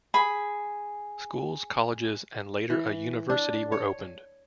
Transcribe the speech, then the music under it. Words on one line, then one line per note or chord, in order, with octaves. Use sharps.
Schools, colleges and later a university were opened.
G#4 B5
E3
D4
C#5